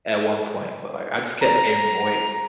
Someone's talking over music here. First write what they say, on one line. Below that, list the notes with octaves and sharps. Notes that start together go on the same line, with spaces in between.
at one point, but, like, I just kept gave them away,
A#5